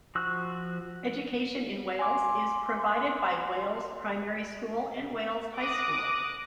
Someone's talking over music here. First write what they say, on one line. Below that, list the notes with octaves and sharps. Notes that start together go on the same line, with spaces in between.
Education in Wales is provided by Wales Primary School and Wales High School.
F3 F#4 E6 F#6
G#5 C6 D6
D6 D#6 F#6 A#6